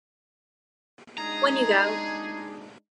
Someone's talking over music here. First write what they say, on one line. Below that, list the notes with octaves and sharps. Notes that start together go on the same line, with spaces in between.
When You Go!
G#3 D4 D#4 G#4 A#5